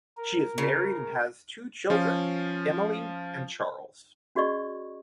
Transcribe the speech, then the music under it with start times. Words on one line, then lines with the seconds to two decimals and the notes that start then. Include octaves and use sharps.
She is married and has two children, Emily and Charles.
0.17 A#4
0.58 C#3
1.90 F3 C#4 F4
4.35 C#4 F#4 G#4 D5 D#5 C#6